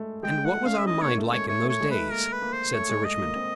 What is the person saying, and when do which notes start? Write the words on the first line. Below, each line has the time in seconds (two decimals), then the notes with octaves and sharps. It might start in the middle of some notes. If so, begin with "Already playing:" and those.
"And what was our Mind like in those days?" said Sir Richmond.
Already playing: G#3 A3
0.23 G#3 G5
0.45 A3 F#5
0.65 C#4 F5
0.78 E5
0.86 D#4 D#5
1.02 A#3 C#5
1.18 A3
1.33 G#3 C#5
1.48 A3 C#5
1.65 A3 C#5
1.81 G#3
1.91 A3 B4
2.11 A#3 A#4
2.32 B4
2.42 A#3
2.53 C5
2.74 A3 C#5
2.89 G#3
3.05 D#5
3.21 A#3
3.36 C4